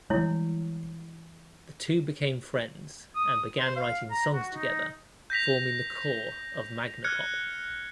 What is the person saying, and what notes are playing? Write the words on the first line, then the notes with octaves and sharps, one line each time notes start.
The two became friends and began writing songs together, forming the core of Magnapop.
E3 G3 G#3 E4 C#5
D#6
C5
F5
A#5
F#4
D#4
G6 A#6 B6 F7
F6 F#6 G#6 C#7